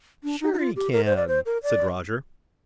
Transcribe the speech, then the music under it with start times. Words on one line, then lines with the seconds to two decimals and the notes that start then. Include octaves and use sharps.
"Sure you can," said Roger.
0.24 D4
0.41 D#4
0.54 D#4
0.58 F4
0.76 G4
0.93 A#4
1.05 C5
1.17 D5
1.28 C5
1.46 A#4
1.63 D5